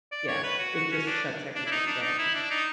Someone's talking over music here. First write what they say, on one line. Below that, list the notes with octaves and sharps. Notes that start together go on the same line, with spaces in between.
yeah. It just shuts everything down.
D5
C#5
B4
F#4
F#4
C#4
D4
D4
E4
D#4
D4
D#4
E4
D4
D#4